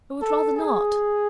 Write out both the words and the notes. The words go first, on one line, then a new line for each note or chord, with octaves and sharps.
I would rather not.'
A4
G#4